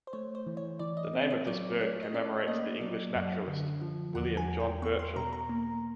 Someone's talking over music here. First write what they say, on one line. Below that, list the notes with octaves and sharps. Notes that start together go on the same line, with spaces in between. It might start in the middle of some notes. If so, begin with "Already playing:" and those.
The name of this bird commemorates the English naturalist William John Burchell.
C5
A3 C#5
C5
E3
C#5
E3 D5
D#5
C4
C#5
F#3 D5
A3 C#5
D#5
C#4 D5
A#3 D#5
F#3 D5
F#2
D3
F3
E2 F#5
G#5
E2
G5
B3 C#6
C6
B2 A#5
A#5
A#3